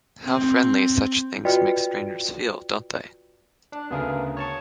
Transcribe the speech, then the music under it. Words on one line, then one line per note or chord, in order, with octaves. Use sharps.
How friendly such things make strangers feel, don't they?
C4
F4 F#4 B4 D5 D#5 G5
D4
D2 C#3 B3 G#4 A#4
C#5 A5 C#6